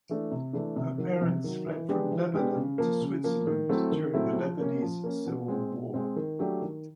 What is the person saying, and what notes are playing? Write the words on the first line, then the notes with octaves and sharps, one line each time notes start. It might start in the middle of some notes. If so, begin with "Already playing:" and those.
Her parents fled from Lebanon to Switzerland during the Lebanese Civil War.
E3 A3 D4
C3
E3 A3 D4
C3
D#3 F#3
C3
D#3 F#3
E3
G#3 B3 D4 G4
E3
G#3 B3 D4 G4
C#3
F3 A#3
C#3
F3 A#3
D#3
F#3 A3 C4 E4
D#3
F#3 A3 C4 E4
F3
A#3 C#4
F3
A#3 C#4
B2
G#3 C4
B2
G#3 C4
D#3
F#3 A3 D4 G4
D#3